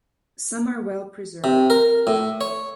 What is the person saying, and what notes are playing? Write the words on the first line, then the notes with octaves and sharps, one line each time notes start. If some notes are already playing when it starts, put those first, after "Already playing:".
Some are well preserved.
C3
A#4
A2
C#5